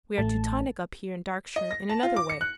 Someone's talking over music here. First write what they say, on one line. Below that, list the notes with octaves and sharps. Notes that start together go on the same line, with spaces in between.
We are Teutonic up here in Darkshire in another way.
A1 A3 A5
D#5
A#6
A5
F4
D6
C#7
F#6